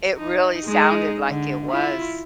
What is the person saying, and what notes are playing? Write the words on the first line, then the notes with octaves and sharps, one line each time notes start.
It really sounded like it was,
D#4
G#3 D#4
D3
E4 F4